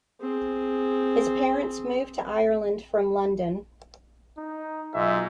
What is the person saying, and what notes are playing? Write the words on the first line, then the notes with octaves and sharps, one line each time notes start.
His parents moved to Ireland from London.
C4 G#4
D#4
B1 G#2 F4 D#5 E5